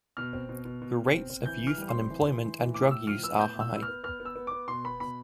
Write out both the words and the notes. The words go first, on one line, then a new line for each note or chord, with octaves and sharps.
The Rates of youth unemployment and drug use are high.
B2 F6
C4
B2
B2
B2
B2
C4
C4
E3 G6
E3 F6
G3
C6
C4
E3
E3
E3
E3
A2 D6
A2 E6
F3 F6
B3 E6
A2 G6
A2 E6
B3 E6
F6
B3
B3 F6
B3
E6
B3
B3 D6
B2 C6
B3 B5
B2 B5